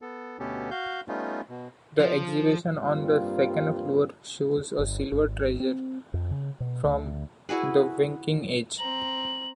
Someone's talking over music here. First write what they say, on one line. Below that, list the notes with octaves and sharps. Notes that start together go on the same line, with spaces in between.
The exhibition on the second floor shows a silver treasure from the Viking age.
B3 A4
D2 B2 B3 C#4 G4 A4
F#4 F5 G6
G3 A3 B3 C#4 D#4 F4
B2
F3
G2 G3 A#3 C4 F4
G1
G#1
C4
F2
C#3
B2
D2
E4 F#4 G#4 B4
C4 A#5 F#7